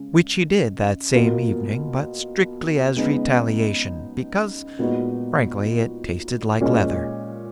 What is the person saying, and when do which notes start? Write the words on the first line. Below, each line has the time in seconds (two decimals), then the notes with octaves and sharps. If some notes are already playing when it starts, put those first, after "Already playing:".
Which he did that same evening, but strictly as retaliation. Because, frankly, it tasted like leather.
Already playing: C#3 G#3
1.13 B2 A#3 F4
2.96 C#3 G#3 B3 D#4
4.79 A#2 G#3 B3 D#4 F#4
6.60 A#2 G#3 C#4